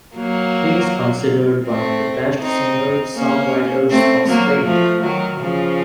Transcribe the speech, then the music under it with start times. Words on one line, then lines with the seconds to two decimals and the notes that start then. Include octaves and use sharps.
He is considered one of the best singer-songwriters of Spain.
0.16 F#3 A#3
1.66 A3 C4
2.40 C4 D#4
3.16 A#3 C#4
3.90 A3 C4
4.28 F#3 A#3
4.65 F3 A3
5.03 D#3 F#3
5.40 C#3 F3